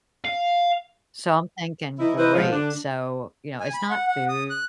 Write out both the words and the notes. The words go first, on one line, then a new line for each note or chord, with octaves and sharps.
So I'm thinking great, so, you know, it's not food,
F5
E3 D#4 E4
E3 D#4 E4 B4 C5
G#2 B2 F3
D3 D4
G#5
B5
F#5
F#5
D#6
F#6